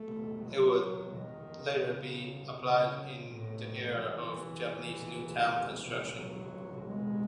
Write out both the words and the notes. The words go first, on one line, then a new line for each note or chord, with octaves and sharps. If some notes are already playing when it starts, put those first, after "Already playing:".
It would later be applied in the era of Japanese New Town construction.
Already playing: A3
F#3
D#3
C#3
C#3
A2
E3
F#3
G#3